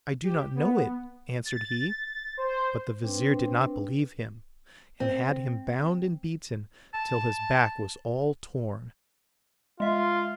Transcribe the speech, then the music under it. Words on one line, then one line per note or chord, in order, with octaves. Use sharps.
'I do not know it!' answered he, but the Vizir did not believe him, and had him bound and beaten till his back was all torn.
G4
B3
A6
C5
C4 D4 B4
C4
A5
G#3 F4 E5